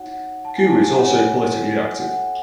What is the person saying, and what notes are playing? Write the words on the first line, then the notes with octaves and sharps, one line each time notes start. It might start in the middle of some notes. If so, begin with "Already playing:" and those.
Gu is also politically active.
Already playing: D#4 F#4 C#5 F#5
A5
G#5
A5
G#5
F#4 A4 C#5 F#5
G#5
F#5